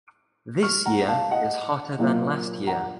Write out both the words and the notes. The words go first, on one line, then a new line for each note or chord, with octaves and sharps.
This year is hotter than last year.
C#6 F6
F#5 A#5
F5 A5
D#5 F#5
A#2 F#3 A#3 F4
F#5 A#5